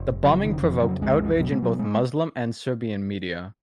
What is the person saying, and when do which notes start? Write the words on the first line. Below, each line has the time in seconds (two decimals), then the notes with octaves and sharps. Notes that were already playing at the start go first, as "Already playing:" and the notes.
The bombing provoked outrage in both Muslim and Serbian media.
Already playing: F1
0.24 C#3 F#3
0.44 D#3
0.63 F2 F3
0.82 F#3
1.01 B1 G#3
1.40 B2 F#3
1.52 G#3
1.62 F#3
1.79 G#3